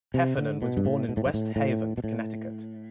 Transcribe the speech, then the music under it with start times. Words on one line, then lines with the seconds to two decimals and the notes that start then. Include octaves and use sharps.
Heffernan was born in West Haven, Connecticut.
0.14 C3
0.38 D3
0.62 B2
0.77 G2
0.85 A2
1.09 B2
1.17 A2
1.26 G2
1.34 A2
1.56 A2
1.98 B2
2.04 A2